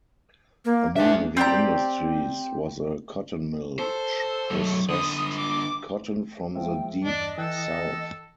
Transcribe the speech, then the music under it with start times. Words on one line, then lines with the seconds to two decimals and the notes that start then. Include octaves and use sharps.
Among the industries was a cotton mill, which processed cotton from the Deep South.
0.65 A#3
0.96 B3 D4 E5
1.37 C4 G4 D5 A#5
3.79 A4 C5
4.50 F#2 A3
4.90 D3 B4 D#6
5.37 D6
6.56 F3 G#3 E5 G5
7.04 E2 G2 D4 D#5
7.38 E3 A4 G5 F#6